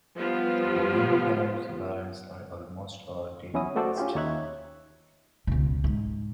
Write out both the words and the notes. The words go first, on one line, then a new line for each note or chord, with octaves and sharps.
The many bulbs barns are almost all demolished.
F3 G3 B3 F4
E2 F#3 C#4 E4 F#4 D#6
A3 F#4 A4 C5 D5
C#4 F4 G4
D#2 D#4 C#5 E5 F#6 G#6
C#2 B2
G#2